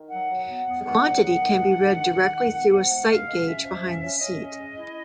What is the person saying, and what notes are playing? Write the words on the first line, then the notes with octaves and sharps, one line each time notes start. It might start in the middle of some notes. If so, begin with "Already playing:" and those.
The quantity can be read directly through a sight gauge behind the seat.
Already playing: D#3
F#3 F#5
F#3
B3 F#5
B3
D#3 F#5
F#3
B3 F#5
D#3
D4
D#3
D#3
D#3
D#3
B3
F3 F#5
G#3
G#3 F5
G#3
C#4 E5
F3
C#4
C#4
C#4 D#5
C#4
G#3
E4